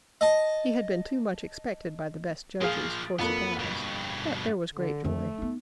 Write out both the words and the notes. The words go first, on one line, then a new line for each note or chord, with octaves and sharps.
He had been too much expected by the best judges, for surprize--but there was great joy.
D#5 A5
A#2 F3 G#4 F5
F2 A#3 B3 A4
G2 B2
D3
F2 D#3 A3
B3 D#4